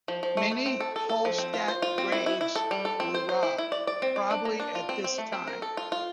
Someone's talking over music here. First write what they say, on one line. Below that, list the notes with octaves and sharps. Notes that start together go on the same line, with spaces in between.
Many Hallstatt graves were robbed, probably at this time.
F3
F3
A3
A3
C4
A4
A4
A4
F3
C4
F4
C5
F4
C4
E4
E4
E4
A4
G3
A4
C4
C5
C5
E4
E4
D5
D5
C4
D5
D4
A#3
D4
F4
C4
C4
A3
C4
A#4
A4
F4
F4